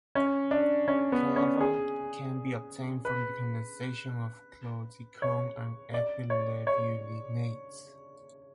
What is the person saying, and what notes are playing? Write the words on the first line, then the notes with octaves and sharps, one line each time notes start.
Kelevan can be obtained from the condensation of chlordecone and ethyl-levulinate.
C#4
D4
C#4
B3
C#4
G#4
B4
C#5
D5
C#5
C#5